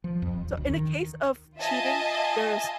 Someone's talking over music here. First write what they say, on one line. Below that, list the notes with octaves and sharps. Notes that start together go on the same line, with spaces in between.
So, in the case of cheating, there's
F3
F2
D#1
D2
D#3
F4 D#5 E5 G#5 A5